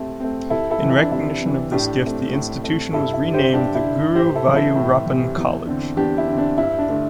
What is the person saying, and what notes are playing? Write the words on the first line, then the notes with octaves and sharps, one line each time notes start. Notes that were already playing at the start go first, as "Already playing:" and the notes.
In recognition of this gift, the institution was renamed "The Guruvayurappan College".
Already playing: C3 A3 C4 E4
A3 C4
C3 E4 A4
E4 A4
E3 C4
E4
D4
C3 E4
E3 C4
A2 D4 G4
A3 C4
A2
A3 C4
G2 E4 A4
E4
D3 G3
G4 C5
G2 D4 G4
E4
D3 G3
A2 G4 C5
E4 A4
E3 G3 C4
E4 A4
A2
E3 G3 C4
E2
D3 C4
E2 D4 G4
E4
D3 C4
D4
G2 E4
D4
D3 A3